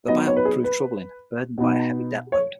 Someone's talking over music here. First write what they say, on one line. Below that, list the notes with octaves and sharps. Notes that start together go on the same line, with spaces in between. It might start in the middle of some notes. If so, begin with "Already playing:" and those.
The buyout would prove troubling, burdened by a heavy debt load.
F#3 B3 D#4 D#5
C#5
B4
G#4
B4
B2 B3 D#4
C#5